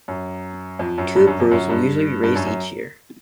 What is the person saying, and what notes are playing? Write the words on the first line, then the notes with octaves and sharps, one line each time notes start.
Two broods will usually be raised each year.
F#2
F2
F#2
G2
F#2
F2
F#2
G2
G2
F#2
F#2